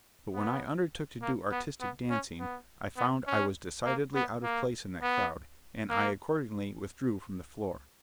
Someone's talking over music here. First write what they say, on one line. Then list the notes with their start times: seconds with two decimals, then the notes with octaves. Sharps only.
But when I undertook to do artistic dancing, I found I was decidedly out of place in that crowd, and I accordingly withdrew from the floor.
0.34 B3
1.22 A#3
1.51 B3
1.81 B3
2.10 C#4
2.40 B3
2.97 B3
3.27 C#4
3.85 A#3
4.15 B3
4.43 A#3
5.02 B3
5.90 A#3